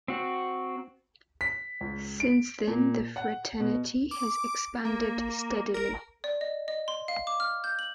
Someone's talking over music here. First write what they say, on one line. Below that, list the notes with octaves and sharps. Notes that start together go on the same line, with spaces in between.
Since then the fraternity has expanded steadily.
C4 F#4
B6
C#2
D7
A#2
F#5
B2
D6
A#3
A#4
D5
D#5
D#5
C6
F5
D6
F6
G6
F#7